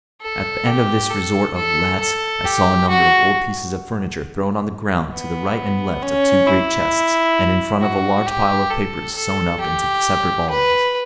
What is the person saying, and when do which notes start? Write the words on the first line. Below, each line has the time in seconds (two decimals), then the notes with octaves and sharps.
At the end of this resort of rats, I saw a number of old pieces of furniture thrown on the ground to the right and left of two great chests, and in front of a large pile of papers sewn up into separate volumes.
0.21 A4
0.66 G4
1.11 A4
1.55 A4
2.00 A4
2.45 G4
2.90 F#4
5.13 B3
6.03 C#4
6.47 E4
7.81 F#4
8.26 G4
8.70 A4
9.15 A4
9.60 G4
10.50 B4